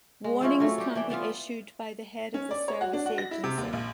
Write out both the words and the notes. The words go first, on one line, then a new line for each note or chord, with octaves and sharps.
Warnings can be issued by the head of the service agency.
G#3
F3 C4 C#4 E4
F#3 A3
G3 G4
E3 D4 G5
G3 B3 F4
C#4
D5
C#5
F#4
D4
F#4
A#6
E4
C3
D#2
A#1